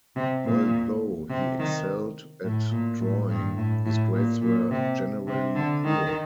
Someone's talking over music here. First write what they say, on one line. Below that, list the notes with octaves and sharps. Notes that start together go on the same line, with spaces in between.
Although he excelled at drawing, his grades were generally poor.
C3
A#2
C3
D#3
A2
A#2
A2
G2
A2
A2
A#2
A#2
C3
C3
D3
D#3